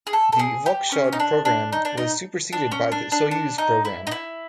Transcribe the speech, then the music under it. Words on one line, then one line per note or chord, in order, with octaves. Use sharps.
The Voskhod programme was superseded by the Soyuz programme.
G#4
A4
A4
G#4
G4
C#4
D#4
D4
D4
D#4
D4
D#4
D4
C#4
D4
D4
D4
D#4
E4
D#4
E4